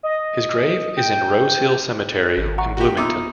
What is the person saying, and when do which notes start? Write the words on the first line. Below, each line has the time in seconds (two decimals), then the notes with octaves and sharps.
His grave is in Rose Hill Cemetery in Bloomington.
0.03 D#5
0.97 G5
2.38 G#1
2.58 F#5 A#5 C#6
2.77 F#4 G4
2.97 B2 D#4 F4 E5 D6 E6